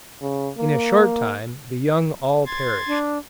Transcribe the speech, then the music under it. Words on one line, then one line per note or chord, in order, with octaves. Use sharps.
In a short time the young all perished.
C#3
A#3
C6 G#6 A6
D4